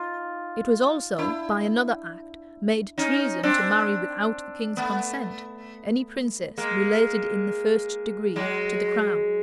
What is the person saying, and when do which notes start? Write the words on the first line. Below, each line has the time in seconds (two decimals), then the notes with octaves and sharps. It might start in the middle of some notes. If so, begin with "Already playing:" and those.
It was also, by another act, made treason to marry, without the king's consent, any princess related in the first degree to the crown.
Already playing: D#4 F4
1.19 D4 E4
2.98 C#4 D#4
3.43 C4 D4
4.77 A3 B3
6.58 G#3 A#3
8.36 F#3 G#3